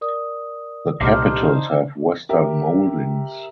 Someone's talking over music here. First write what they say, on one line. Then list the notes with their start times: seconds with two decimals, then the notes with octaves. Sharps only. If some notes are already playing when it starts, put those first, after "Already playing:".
The capitals have western moldings.
0.01 A#4 D5 D#6
1.01 C2 A#2 D4 D#4 G4 C5 D6 F6
2.29 G4 A#4 E5